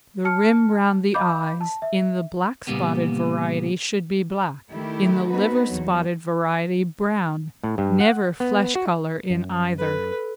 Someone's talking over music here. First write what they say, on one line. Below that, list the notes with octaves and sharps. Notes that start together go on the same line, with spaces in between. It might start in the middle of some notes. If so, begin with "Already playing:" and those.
THE RIM ROUND THE EYES in the black-spotted variety should be black, in the liver-spotted variety brown--never flesh-colour in either.
A5 F6 C#7
D#5 F5 B5 D6 G6
A5
E5
A#2 C#3 G3 A#3 B3
D#3 A3 E4 G4
A3 B3 C4 D#4 F#4 B4
E2 F#3
A2
G2
F#5
B3
F#4
F#2
A4 B4